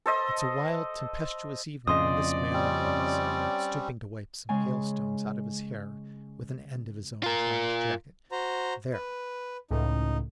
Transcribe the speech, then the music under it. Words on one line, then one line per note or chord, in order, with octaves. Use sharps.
It's a wild tempestuous evening when this man that was,' stooping to wipe some hailstones out of his hair with an end of his own drowned jacket, '--there!
A4 C5 D#5
F2 C#3 D5 D#5 C6 D#6
G3 C4 C#4
C#3 G#3 G#5
F4 A#4
F#4 C5 A#5
B4
C#2 A2 D#4